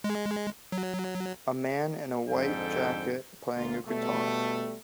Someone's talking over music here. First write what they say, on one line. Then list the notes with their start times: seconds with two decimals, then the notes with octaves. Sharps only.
A man in a white jacket playing a guitar.
0.04 G#3
0.72 F#3
2.30 F2 G#2 D3 A4 G5
3.55 D2 A#3 F4
3.88 B2 G3 A3